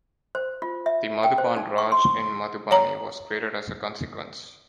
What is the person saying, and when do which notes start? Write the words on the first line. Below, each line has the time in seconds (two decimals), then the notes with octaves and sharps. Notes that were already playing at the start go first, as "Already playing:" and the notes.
The Madhuban Raj in Madhubani was created as a consequence.
0.35 C5
0.62 F4
0.86 E5
1.23 G5
1.38 C5
1.57 D#4
1.78 C#6
1.92 C6
2.71 C#5 A#5